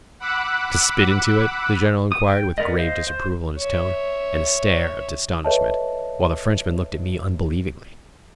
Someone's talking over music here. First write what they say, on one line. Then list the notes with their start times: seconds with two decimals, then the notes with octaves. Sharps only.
"To spit into it?" the General inquired with grave disapproval in his tone, and a stare, of astonishment, while the Frenchman looked at me unbelievingly.
0.20 F#5 B5 D6 E6 F#6
2.12 D#6
2.28 G5
2.58 B3 A#4 D5 D#5
2.77 C5 D#5 F5
3.07 C5
3.58 C#5 E5
5.44 A4 B4 C#5 D#5 E5 A5